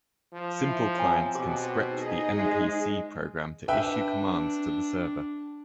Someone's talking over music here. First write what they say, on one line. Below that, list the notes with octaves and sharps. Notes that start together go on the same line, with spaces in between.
Simple clients can script the mpc program to issue commands to the server.
F3
E4
C4 C#5 G#5 A#5
B2 G4 C6 D6
D#4 G#4 D#5
G#3 C5 E5
D4 B4 E5 G5